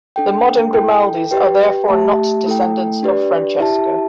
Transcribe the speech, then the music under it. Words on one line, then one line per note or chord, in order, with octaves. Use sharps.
The modern Grimaldis are therefore not descendants of Francesco.
D4 A4 G5
E4 A4 G5
G4 B4 G5
A3 G4 E5 A5
A3 E4 A4 G5
D4 G4 B4 D5
E4 G4 E5 A5